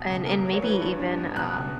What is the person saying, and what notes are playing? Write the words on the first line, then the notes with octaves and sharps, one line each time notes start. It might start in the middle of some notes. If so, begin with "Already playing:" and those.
And and maybe even, um,
Already playing: B2
C#2
A#3 A#4
F#3
C#5
E3 B4
G2
D4
B3
B2 F#6
C#2